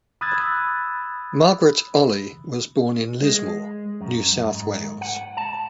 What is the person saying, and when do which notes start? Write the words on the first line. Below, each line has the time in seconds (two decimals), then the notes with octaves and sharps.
Margaret Olley was born in Lismore, New South Wales.
0.21 B5 D#6 E6 F#6 G#6 A6
3.22 G#3
4.01 F#2
4.46 G#2
5.01 F#5
5.37 A5